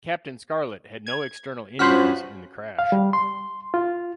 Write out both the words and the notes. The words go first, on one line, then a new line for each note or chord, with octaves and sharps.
Captain Scarlet had no external injuries in the crash.
G#6
G2 C#4 F4 F#4 C5 F6 F#6 B6
F5
G3
C6
F4